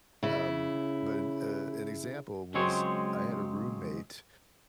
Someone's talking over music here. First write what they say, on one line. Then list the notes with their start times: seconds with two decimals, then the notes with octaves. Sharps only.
um but, uh, an example was I had a roommate
0.23 C#3 E4
2.54 C#2 F#3 G#3 C4 C#5